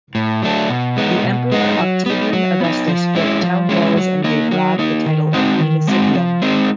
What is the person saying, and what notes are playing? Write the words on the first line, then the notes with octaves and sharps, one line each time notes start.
The emperor Octavian Augustus built town walls and gave Rab the title of Municipium.
A2
F#3 A3 D4
B2
G#3 B3 D#4
B2
G#3 B3 D#4
F#3
B3 D#4
F#3
B3 D#4
F3
G#3 C#4 E4
F3
G#3 C#4 E4
F#3
A#3 D#4
F#3
A#3 D#4
D#3
G#3 C4 D#4 F#4
D#3
G#3 C4 D#4 F#4
F3
G#3 C4 D#4